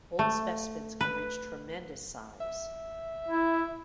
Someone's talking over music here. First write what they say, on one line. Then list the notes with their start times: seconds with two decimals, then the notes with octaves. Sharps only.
Old specimens can reach tremendous size.
0.19 A3
1.01 B4
2.41 E5
3.28 E4